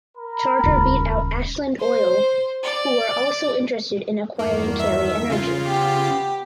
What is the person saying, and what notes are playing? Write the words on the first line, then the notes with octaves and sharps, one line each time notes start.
Charter beat out Ashland Oil who were also interested in acquiring Carey Energy.
A#4 B5
D#1 C#2
C5
D5
E2 G2 D#3 A#3
E5
C#3 F4
B3 G4